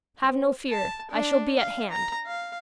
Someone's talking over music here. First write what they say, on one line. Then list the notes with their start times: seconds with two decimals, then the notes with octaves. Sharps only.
Have no fear; I shall be at hand.'
0.23 C4
0.70 A5
1.11 D4
1.59 F5
1.90 A#5
2.27 F5